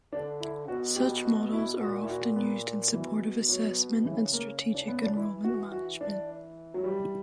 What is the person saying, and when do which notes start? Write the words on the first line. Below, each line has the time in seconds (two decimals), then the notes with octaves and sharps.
Such models are often used in support of assessment and strategic enrollment management.
0.12 D3 D4
0.40 E4
0.68 B2 F#4
0.96 G4
1.25 F#4
1.53 E4
1.81 A#2 F#4
2.02 E4
2.09 F#4
2.36 B3
2.93 B2 E3
3.49 F#3
4.05 C#3 E3
4.33 A#3
4.74 D4
4.88 B3
5.03 D4
5.16 E3 E4
5.44 F#4
5.72 F#4
6.01 D4
6.74 F#3
6.83 G3